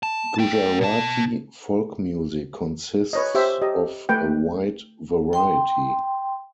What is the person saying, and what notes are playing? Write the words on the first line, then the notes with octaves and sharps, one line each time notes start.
Gujarati folk music consists of a wide variety.
A5
A3 G5
B2 A5
B4 C#5 D#5
G4 C5 E5
G4 D#5
A3 B4 G5
G5 C6